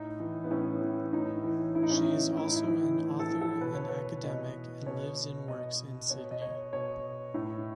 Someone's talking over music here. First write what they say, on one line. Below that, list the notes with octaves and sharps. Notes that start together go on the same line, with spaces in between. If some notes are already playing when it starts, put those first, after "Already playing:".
She is also an author and academic and lives and works in Sydney.
Already playing: A2 D#4
E3
B3
A2 C#4
E3
A2 D#4
E3
A2 E4
D#4
C#4
D#4
E3
A2 E4
D#4
E4
E3
A2
A4
E3
A4
B2 B4
C#5
B4
B2 D#5
B2 C#5
B2 D#5
B2 C#5
D#5
C#5
B2 C#5
A2